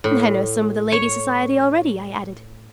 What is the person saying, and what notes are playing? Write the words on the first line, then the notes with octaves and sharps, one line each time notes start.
"And I know some of the lady-society already," I added.
A2
C#5